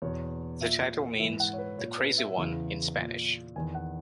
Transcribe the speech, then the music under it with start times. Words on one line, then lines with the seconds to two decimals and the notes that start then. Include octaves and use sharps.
The title means "The Crazy One" in Spanish.
0.02 E2 B2 C#5
0.61 A#2 E5
1.20 G#2 E3 E5
1.40 F#5
1.53 C#5
1.58 B4
1.78 A#2 C#5
1.98 B4
2.18 E5
2.38 E2 C#3 E3
2.97 A#2
3.56 E2 D#3 G#5
3.75 F#5